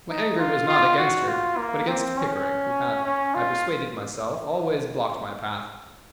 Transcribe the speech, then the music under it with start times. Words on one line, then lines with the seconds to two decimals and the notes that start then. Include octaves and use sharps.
My anger was not against her, but against Pickering, who had, I persuaded myself, always blocked my path.
0.09 D#4
0.38 F4
0.68 F4
0.98 F#4
1.28 F4
1.57 A#3
1.88 C4
2.17 C#4
3.05 C#4
3.35 F4